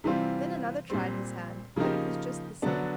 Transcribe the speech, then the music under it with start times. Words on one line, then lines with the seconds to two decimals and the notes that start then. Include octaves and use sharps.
Then another tried his hand; but it was just the same.
0.04 C3 E3 G3 C4 F4
0.90 A#2 G3 C4
1.76 C#3 F3 A#3 D#4 G4
2.62 D3 F#3 B3 D4